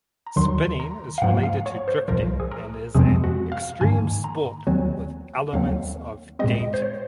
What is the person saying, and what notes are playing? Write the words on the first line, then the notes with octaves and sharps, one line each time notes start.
Spinning is related to drifting and is an extreme sport with elements of danger.
A#5
D#2 D#3 F#3 C6
A#5
F5
G#2 F3 A#3 F#5
F5
C#5
C5
C2 A#2 F3 A#4
G#4
A#4
F2 C3 F3 G#3 C4 G#4
F#4
F5
G#2 D#3 A#3 G#5
A#5
D#2 D#3 F#3 C4 G#5
D#2 D#3 F#3 C4 F5
A#2 G#3 C4 D#5
C5
C#5